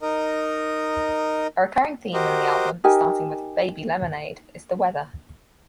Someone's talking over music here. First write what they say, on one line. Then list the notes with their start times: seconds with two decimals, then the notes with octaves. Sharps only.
A recurring theme in the album, starting with "Baby Lemonade", is the weather.
0.02 D#4 A#4 D#5
2.14 F#4 G4 A#4 C5 D#5
2.84 D#4 G4 A#4 G#5